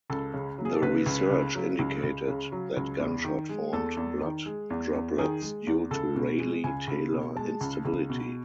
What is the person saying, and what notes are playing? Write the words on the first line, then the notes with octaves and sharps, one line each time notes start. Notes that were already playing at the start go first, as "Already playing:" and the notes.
The research indicated that gunshot formed blood droplets due to Rayleigh–Taylor instability.
C#2 A4
C#3
F#3
G#4
A4
C#2 B4
C#2
C#3
F#3
C#2
C#2
C#3
F#3
C#2
E2
D#3
G#3
E2 A4
E2
D#3
G#3
E2
E2
D#3 G#4
G#3
E2
C#2 A4
B2
G#3
C#2 G#5
C#2
B2
G#3 A5
C#2
C#2
B2